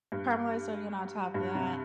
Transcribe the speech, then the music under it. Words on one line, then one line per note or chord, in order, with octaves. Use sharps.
caramelized onion on top of that
G2
G2
C3